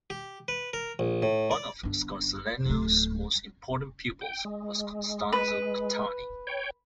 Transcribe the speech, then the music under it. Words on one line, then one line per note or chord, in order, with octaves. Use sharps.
One of Scarsellino's most important pupils was Costanzo Cattani.
G4
B4
A#4
A#1
A2
D5
G1 D4
D1 A3
G5
G#3
B4
C#5 G5